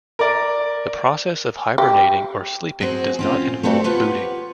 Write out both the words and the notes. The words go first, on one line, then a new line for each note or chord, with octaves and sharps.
The process of hibernating or sleeping does not involve booting.
A#4 D5
G4
C4 F#4 G#4
C4 C#4 F4
A3 C4 F#4 G#4 A4
F4 G4 B4 C#5 F#5